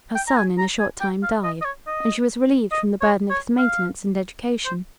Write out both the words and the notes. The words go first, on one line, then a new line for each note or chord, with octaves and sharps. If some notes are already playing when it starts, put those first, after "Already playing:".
Her son in a short time died, and she was relieved from the burden of his maintenance and education.
G5
A#5
G#5
A#5
G#5
G5
F5
D#5
D#5
C#5
D#5
D#5
C#5
C#5
F5
C5